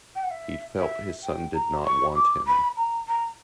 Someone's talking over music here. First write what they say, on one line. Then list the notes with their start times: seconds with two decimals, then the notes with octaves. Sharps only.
He felt his son did not want him.
0.15 G5
0.23 F#5
0.30 E5
0.77 E5
1.23 G5
1.53 A#5
1.85 C#6
2.15 D6
2.47 B5
2.76 A#5
3.08 A#5